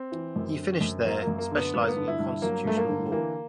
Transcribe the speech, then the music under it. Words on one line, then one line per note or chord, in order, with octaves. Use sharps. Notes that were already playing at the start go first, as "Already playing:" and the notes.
He finished there, specializing in constitutional law.
Already playing: C4
E3
F#2
D3
F#2
F#3 A#3
A#3
F#2
A#3
D3
B3
G2 B3
A#3
B3
D3
E4
G2
F#3 A#3
G2 A3
A#3
D3
E3 A#3